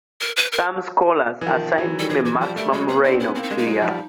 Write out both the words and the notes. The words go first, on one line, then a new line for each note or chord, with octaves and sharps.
Some scholars assign him a maximum reign of two years.
A#4
B4
A#4
E3
D#3 F3
E3 F#3
G3 A4
E3 F#3 G#4
E3 F#3 F#4
F3 G3 C5
G3 A3 A#4
F#3 G#3 A4
B3 C#4 G#4
C4 D4 E4
B3 C#4 E4
A#3 C4 E4
D#4
G#3 A#3 D4
D#4
F#3 G#3
F3 G3